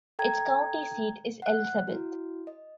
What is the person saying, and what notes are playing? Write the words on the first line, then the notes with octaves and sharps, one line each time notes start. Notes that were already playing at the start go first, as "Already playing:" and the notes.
Its county seat is Elizabeth.
A4 G5 A#5 G#6
F#5 F#6
E4 F#4
D#5